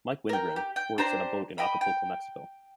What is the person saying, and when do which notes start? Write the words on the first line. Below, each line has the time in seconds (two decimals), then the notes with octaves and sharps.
Mike Windgren works on a boat in Acapulco, Mexico.
0.29 A#4 G5
0.56 G4
0.76 G5
0.98 D4 G4 C5 A#5
1.58 D#5 G5 B5
1.81 G5